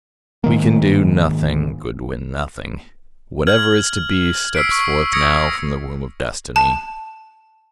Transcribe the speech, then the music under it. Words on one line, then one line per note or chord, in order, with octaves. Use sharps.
"We can do nothing, Goodwin--nothing. Whatever is to be steps forth now from the womb of Destiny."
G#2 D#3 A#3
F6 G#6 F#7
E6 F6 B6 C7 D7
C#6
D#6 E6 G#6 A#6 C#7 D7
A5